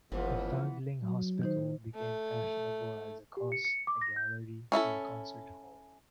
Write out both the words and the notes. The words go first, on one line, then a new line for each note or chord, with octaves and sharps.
The Foundling Hospital became fashionable as a cause, a gallery and a concert hall.
G1 C#2 A#2 E3 F3 B3
F#3
D#3 D#4 C5
A3
G4
C#7
C#7
D6
A#6
G6
C#4 E4 F4 A4